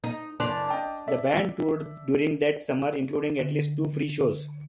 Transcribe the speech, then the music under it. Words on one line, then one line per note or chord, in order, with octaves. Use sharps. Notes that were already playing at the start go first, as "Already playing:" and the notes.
The band toured during that summer, including at least two free shows.
D#4
F#1 D4 C6 F7
D#5 G5 A5
A4 D5 E5
D3